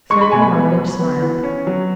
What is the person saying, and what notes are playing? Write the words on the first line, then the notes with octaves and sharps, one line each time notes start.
Sergey Ivanovitch smiled.
G#3 C#6
B5
B2 G#5
B5
B3
F#3
B3
E3
C#4
F#3